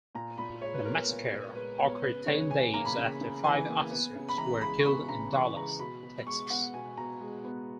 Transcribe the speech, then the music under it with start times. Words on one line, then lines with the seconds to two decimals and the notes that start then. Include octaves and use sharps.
The massacre occurred ten days after five officers were killed in Dallas, Texas.
0.15 A#2 A#5
0.38 A#2 B5
0.61 G#3 C#5
0.74 B4
0.85 B3 A#4
0.97 A#4
1.09 A#2
1.32 A#2
1.55 G#3 B4
1.79 B3 C#5
2.03 C#3 B4
2.26 C#3 C#5
2.50 E3 G#5
2.73 A#3 A#5
2.85 B5
2.98 C#3
3.21 C#3
3.44 E3 G#5
3.68 A#3
3.91 B3
4.15 C#3
4.29 B5
4.38 E3 A#5
4.61 G#3 B5
4.80 C#6
4.85 B3 B5
5.09 C#3 A#5
5.33 E3 C#6
5.56 G#3 A#5
5.79 B2 B5
6.03 B2
6.27 G#3 C#6
6.50 B3 F#5
6.74 B2 G#5
6.97 B2 A#5
7.21 G#3
7.44 B3